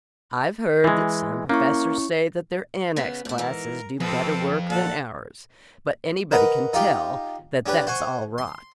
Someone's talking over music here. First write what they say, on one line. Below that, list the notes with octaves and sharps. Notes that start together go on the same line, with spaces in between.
"I've heard that some professors say that their Annex classes do better work than ours,--but anybody can tell that that's all rot."
E3 G#3
A#3 C#4 E4 C#6
C#3 B3
A2 E4
G#2 E3 A#4
F2 C4 A4 B4
A#2 A4 F#5 A5
A#4 B4 D#5 F#5 A#5 B5
D#4 F4 G4 G5
C#4 D4 G4 B4
C5 F#5 G#5 C#6
C6